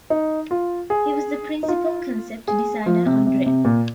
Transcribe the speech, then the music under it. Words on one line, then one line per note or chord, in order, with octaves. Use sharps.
He was the principal Concept Designer on Dredd.
D#4
F4
G#4
D#4
F4
G#4
F3
C3
C3
C3
A#2